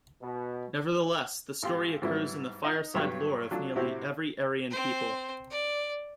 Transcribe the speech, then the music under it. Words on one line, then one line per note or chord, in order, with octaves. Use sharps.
Nevertheless, the story occurs in the fireside lore of nearly every Aryan people.
B2
G#1 F4 G4 C6
G#2 F#3 G3 B3 E4
D#4 D#5 A#5
B1 G2 F#3 B3 G4 C#5
F#3 D4 F4 A4
A2 C3 C4 E4 F#4 G4
C4 C5
D5